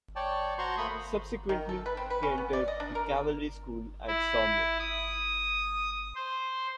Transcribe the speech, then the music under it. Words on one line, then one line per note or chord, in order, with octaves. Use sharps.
Subsequently, he entered the cavalry school at Saumur.
C#5 D5 G5 A5
F#4 C5 A5 A#5 C6 C#6
A3 A#3 B5 D#6
D#3
A4
B4
C4
B4
C#4
B3
D5
D#5
D4
A#4
E4
D#6
C5